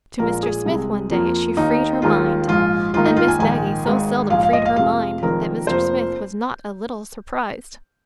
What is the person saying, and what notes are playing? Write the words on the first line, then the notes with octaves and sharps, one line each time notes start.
To Mr. Smith, one day, she freed her mind--and Miss Maggie so seldom freed her mind that Mr. Smith was not a little surprised.
A#1 A#2 G#3 A#4
G#4
C2 C3 G#3
F2 F3 A#3
D#2 D#3 A#3 D#4
D#2 D#3 G#3 F4
A#1 G#2 F3 G#3 F4
G#1 G#2 D#3 A#3 F4
D#4
F4
G#5
A#1 G#2 D#3 G#3 G#5
G#1 G#2 D#3
A#1 G#2 G#3 F5
F5
D#5
F5
F2 C3 G#3 F5
F1 F2 D#3 G#3 A#4
F1 F2 F3 A#3 C5